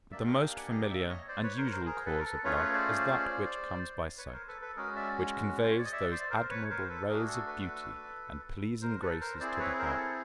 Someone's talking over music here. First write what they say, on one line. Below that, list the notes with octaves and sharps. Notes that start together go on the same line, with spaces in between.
But the most familiar and usual cause of love is that which comes by sight, which conveys those admirable rays of beauty and pleasing graces to the heart.
A#3 D4 G4 D5 E5
D#5 F5
F5 G5
F#5 G#5
D#5 F5
D5 E5
C#5 D#5
C5 D5
B4 C#5
A#4 C5
A#4 C5
G#4 A#4
A4 B4
A#4
A4
A3 C#4 F4 G#4 B4 C#5
B4 C#5
C5 D5
C5 D5
B4 C#5
C#5
A#4 C5
A4 B4
A4 B4
G#3 C#4 F#4 G#4 A#4
D5 E5
C5
C#5
D5
D#5
D5 E5
C5 D5
A#4 C5
B4 C#5
A#4 C5
C5
A4 B4
A3 D4 F#4 G#4 A#4
A4
A4 B4
A#4 C5
A4 B4
A#4 C5
C4 E4 G#4 C5 D5
B4 C#5
A#4 C5
A4